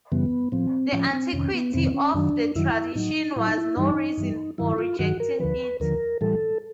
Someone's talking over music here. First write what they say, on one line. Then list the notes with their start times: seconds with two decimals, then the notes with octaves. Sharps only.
The antiquity of the tradition was no reason for rejecting it.
0.12 F#2 C#3 E3 G3 B3
0.52 A2 F3 C4
0.92 A2 F3 C#4
1.13 C4
1.33 F2 C3 D#3 C#4
1.54 B3
1.74 F2 C3 D#3 C4
1.94 C#4
2.14 F#2 D#3 F#3 D4
2.56 F#2 D#3 F#3 E4
2.95 A2 F#3 D#4
3.36 A2 F#3 E4
3.47 D#4
3.58 E4
3.77 G2 E3 G3 D#4
4.18 G2 E3 G3
4.58 G2 D#3 F#3 E4
4.78 F4
4.99 G2 D#3 F#3 F#4
5.20 A#4
5.40 D#2 D3 F3 B4
5.80 D#2 D3 F3 A#4
6.21 A2 E3 G3 A4